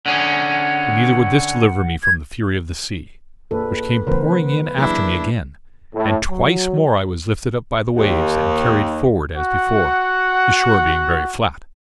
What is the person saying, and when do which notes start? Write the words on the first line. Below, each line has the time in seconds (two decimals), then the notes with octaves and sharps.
But neither would this deliver me from the fury of the sea, which came pouring in after me again; and twice more I was lifted up by the waves and carried forward as before, the shore being very flat.
0.06 D3 C#4 G#4 F#5
2.02 G#6
3.51 A#1 A4 B4
4.07 C#3 E3 A3 B3 A#4 C5
4.78 F#3 A#3 D4 E4 G#4
5.94 A2
6.29 F#3
7.96 D#2
9.36 F#4 F#5